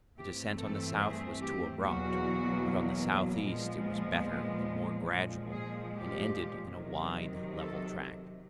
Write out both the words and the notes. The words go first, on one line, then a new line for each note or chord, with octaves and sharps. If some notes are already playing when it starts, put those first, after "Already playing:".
The descent on the south was too abrupt, but on the south-east it was better and more gradual, and ended in a wide, level tract.
G2 E3 A3 C4 G4
A4
G#4
G4
E2 B2 F#3 A#3 F#4
A#2 F3 G#3 B3
A#2 F3 G#3
G#4
G4
C3 D#3 F#3
A4